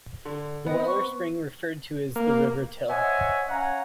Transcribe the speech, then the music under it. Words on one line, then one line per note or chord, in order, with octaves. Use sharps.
The well or spring referred to is the River Till.
D3
B3 C4 D#5
C#6
A#3
C5 C#5 D#5 E5 F#5 G#5
C#4 C#5 F5 F#5 G#5 A#5